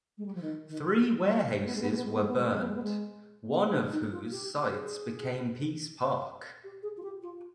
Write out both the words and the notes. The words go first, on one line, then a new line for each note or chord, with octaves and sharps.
Three warehouses were burned, one of whose sites became Peace Park.
G#3
G3
F3
D#3
D#3
G3
G#3
B3
G#3
B3
G#3
B3
G#3
B3
G#3
B3
G#3
B3
G#3
B3
G#3
B3
G#3
B3
D4
D#4
F4
G4
G#4
G4
G#4
F4
G4
F4